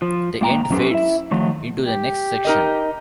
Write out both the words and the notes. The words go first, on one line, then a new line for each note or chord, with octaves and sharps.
The end fades into the next section.
F3
G#2 A#3 G5 A#5
F#3 C#4 G4 A4 B4 C5
E4 E5
D#3 F3 F#3 A3
G4
D#4 A#4 D#5